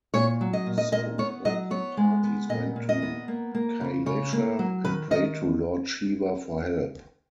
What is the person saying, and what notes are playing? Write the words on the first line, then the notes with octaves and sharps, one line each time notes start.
So both parties went to Kailasha and prayed to Lord Shiva for help.
A#2 C#5
F#3
D#5
A#2
D#5
A#2 D#5
B3 C#5
F#3 D#5
B3 C#5
G#3
B3
A#2 D#5
A#2
D#5
B3
A#3
A#3
C#3
C#3 C#5
A#3
F#3
D#3 B4
D#3 D#5